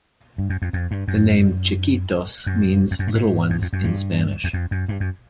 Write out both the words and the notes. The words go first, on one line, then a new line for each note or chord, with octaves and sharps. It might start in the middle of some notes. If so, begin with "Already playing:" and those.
The name Chiquitos means "little ones" in Spanish.
G2
F#2
F2
F2
G2
F#2
F#2
F2
F#2
G2
G#2
E2
F2
F#2
G2
E2
F2
F#2
G2
F#2